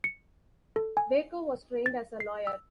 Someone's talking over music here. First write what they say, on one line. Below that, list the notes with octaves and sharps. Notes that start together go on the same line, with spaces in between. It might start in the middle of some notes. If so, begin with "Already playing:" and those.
Baker was trained as a lawyer.
C#7
A4
G#5
A6
C7
E6